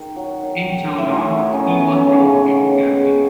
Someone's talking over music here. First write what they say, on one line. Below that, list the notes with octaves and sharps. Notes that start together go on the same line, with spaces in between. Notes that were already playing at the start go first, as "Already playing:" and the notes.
In Toulon he was promoted to Captain.
Already playing: D#3
F#3
D#3
D#3
A2 E4
F#4
A2 E4
D#4
A2 C#4
B3
A3 C#4
C#4
C#3
C#3
D#3
G#3